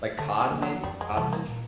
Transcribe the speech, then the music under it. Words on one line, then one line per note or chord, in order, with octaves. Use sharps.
Like cod maybe, codfish?
D3 A3
G#3
F3 A#3 D4
F#3
F2 G3
G#3
C3 E3 G3 A3
A#3
A#2